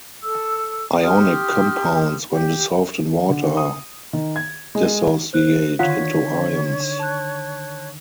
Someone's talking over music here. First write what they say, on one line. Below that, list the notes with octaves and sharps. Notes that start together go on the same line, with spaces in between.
Ionic compounds, when dissolved in water, dissociate into ions.
A4 E6
G4 C6 D#6 F6
G4
D3
D#6
D#3
G#6
G#3
C5 F#6
D3 D#3 F4 C#5 F#5 B6
A5 F#6